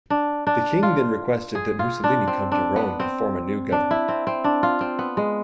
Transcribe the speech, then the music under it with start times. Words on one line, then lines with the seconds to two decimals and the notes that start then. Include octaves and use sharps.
The King then requested that Mussolini come to Rome to form a new government.
0.10 D4
0.47 D4
0.83 F4
1.55 G#4
1.79 F4
2.04 D4
2.27 C4
2.52 D4
2.76 B3
3.00 C4
3.72 D4
3.91 E4
4.09 C4
4.27 C4
4.44 D4
4.63 F4
4.81 C4
4.99 B3
5.17 G#3